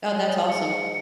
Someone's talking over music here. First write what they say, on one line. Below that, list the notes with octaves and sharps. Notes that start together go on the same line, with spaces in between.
Oh, that's awesome.
F#3 G#4
G#2 C#7